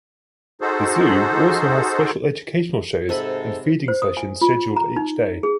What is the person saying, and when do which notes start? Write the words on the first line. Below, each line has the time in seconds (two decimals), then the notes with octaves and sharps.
The zoo also has special educational shows and feeding sessions scheduled each day.
0.61 D#4 F#4 G#4 A4 C5
3.09 G#2 C3 A4 G#5 B5
3.88 C5
4.02 D#6
4.17 G#5
4.41 F4
4.76 A#5
4.96 D#4
5.43 G#4